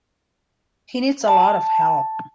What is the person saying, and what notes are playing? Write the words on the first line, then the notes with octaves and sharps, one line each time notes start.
He needs a lot of help.
A5